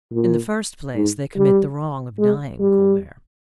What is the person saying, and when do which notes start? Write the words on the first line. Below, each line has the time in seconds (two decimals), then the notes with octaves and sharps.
"In the first place, they commit the wrong of dying, Colbert."
0.13 A#2
0.95 G#2
1.36 G3
2.18 G#3
2.60 G3